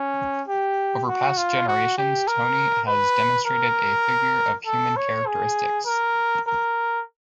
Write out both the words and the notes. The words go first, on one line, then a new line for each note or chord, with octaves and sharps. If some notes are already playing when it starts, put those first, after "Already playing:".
Over past generations Tony has demonstrated a figure of human characteristics.
Already playing: C#4
G4
F#4
F4
F#4
G4
A#4
B4
A#4
A4
C#5
G#4
A#4
A#4